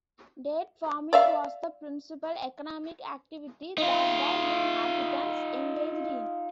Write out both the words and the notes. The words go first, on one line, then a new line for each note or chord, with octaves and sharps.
Date farming was the principal economic activity that the inhabitants engaged in.
D5 E5 F5
D#4 F4